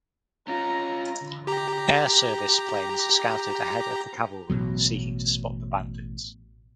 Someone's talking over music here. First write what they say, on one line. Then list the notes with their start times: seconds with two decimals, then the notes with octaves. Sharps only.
Air Service planes scouted ahead of the cavalry seeking to spot the bandits.
0.48 C#4 F4 A#5
1.47 G4 A#5
4.50 A1 B2 F#3